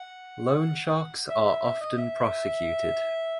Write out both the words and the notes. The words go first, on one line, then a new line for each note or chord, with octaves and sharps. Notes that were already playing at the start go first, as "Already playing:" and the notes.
Loan sharks are often prosecuted.
Already playing: F#5
E5
E5
E5
D#5
E5